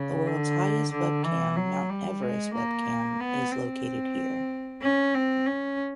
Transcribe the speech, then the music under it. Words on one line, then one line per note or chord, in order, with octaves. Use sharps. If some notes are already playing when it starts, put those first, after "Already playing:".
The world's highest webcam, Mount Everest webcam, is located here.
Already playing: C#3
D3
D3
E3
F#3
G3
G#3
A#3
B3
C4
C#4
C4
C#4